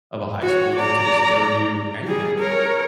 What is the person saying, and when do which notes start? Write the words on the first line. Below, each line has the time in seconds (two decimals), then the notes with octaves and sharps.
of a high schooler to just go do anything,
0.42 F#4 C#5
0.76 D5 A#5
2.04 G3 G#4
2.38 A#4 C#5